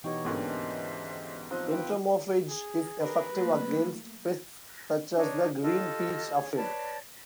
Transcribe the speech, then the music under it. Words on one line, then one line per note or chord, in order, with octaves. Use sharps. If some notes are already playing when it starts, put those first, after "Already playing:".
"Entomophaga" is effective against pests such as the green peach aphid.
B2 E3 D#4 G4 C#5 D#5 G5 C#6
D2 G#2 A#3 B3 C#4 D4
C5 D#5 E5
F3 C4 D#4 D#5 F#6
B4 G5
G#4
G4 G#4 A#4 B4
F#3 A3 A#3
D4 D#4 C#5
F4 G4 A4 D#5
G#4 C#5
B4 C#5 D5 A5